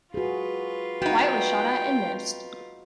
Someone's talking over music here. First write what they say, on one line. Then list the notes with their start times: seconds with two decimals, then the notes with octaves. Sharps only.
Wyatt was shot at and missed.
0.14 F4 F#4 G#4 B4
1.02 B3 D#4 F#4 G5